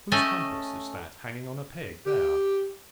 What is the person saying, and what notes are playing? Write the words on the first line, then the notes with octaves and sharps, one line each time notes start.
Whose compass is that hanging on a peg there?
A3 C#4 A4 D#5 G5 G#5
G4